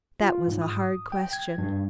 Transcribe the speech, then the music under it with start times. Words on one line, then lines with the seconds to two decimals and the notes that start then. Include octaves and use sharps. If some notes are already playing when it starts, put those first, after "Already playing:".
That was a hard question.
0.21 F4
0.47 G#2
0.62 D#6
1.12 G5
1.33 G#6
1.58 G2